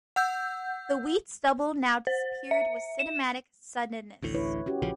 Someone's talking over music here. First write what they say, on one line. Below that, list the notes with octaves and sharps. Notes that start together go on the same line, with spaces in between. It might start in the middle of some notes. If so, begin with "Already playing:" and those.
The wheat stubble now disappeared with cinematic suddenness.
F#5 E6 G6
C5
E5
E7
A1 D2 A2
E4 B4 C#5
C#4 F#4 G4
A#1 C#3 F3